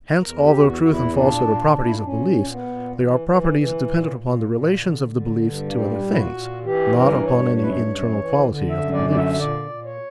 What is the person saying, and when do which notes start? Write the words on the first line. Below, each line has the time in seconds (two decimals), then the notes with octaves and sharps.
Hence, although truth and falsehood are properties of beliefs, they are properties dependent upon the relations of the beliefs to other things, not upon any internal quality of the beliefs.
0.21 E2 A#4
0.44 G4
0.51 E2
0.67 F#4
0.82 E2 F#4
0.90 E4
1.13 A#2 D4
1.44 A#2
1.74 A#2
1.82 E4
1.93 D4
2.04 A#2 C#4
2.35 A#2
2.51 B3
2.66 A#2
2.97 E3
3.28 E3
3.58 E3
3.88 A#2
4.19 A#2
4.50 A#2
4.80 D3
5.11 D3
5.41 G2
5.66 A#3
5.71 A#2 G3
6.02 A#2
6.09 E4
6.17 F#4
6.33 A#2
6.64 E3 G4
6.94 G2 A#4
7.25 G2 C#5
7.55 F#2 C#5
7.62 B4
7.69 C#5
7.86 F#2
8.17 E3
8.48 D3
8.70 E5
8.78 F#2
8.93 D5
9.08 D3 D5
9.17 E5
9.38 A#2 D5
9.70 A#2
9.85 C#5